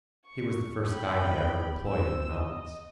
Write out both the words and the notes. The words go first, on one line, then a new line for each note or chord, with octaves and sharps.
He was the first guide I ever employed in the mountains.
C#6
G5 B5
C5 E6
D#5